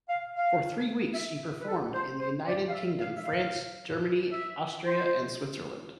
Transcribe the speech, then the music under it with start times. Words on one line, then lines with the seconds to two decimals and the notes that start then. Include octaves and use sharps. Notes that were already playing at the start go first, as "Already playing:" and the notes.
For three weeks, she performed in the United Kingdom, France, Germany, Austria and Switzerland.
0.09 F5
0.36 F5
1.14 E5
1.61 B4
1.67 A4
1.94 C5
2.20 C5
2.47 D5
2.67 F5
2.72 E5
2.99 F5
3.16 E5
3.25 F5
4.31 E5
4.84 C5